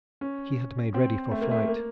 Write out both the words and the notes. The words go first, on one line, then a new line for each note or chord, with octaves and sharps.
He had made ready for flight.
C#4
C4
A3
A#3
A3
A#3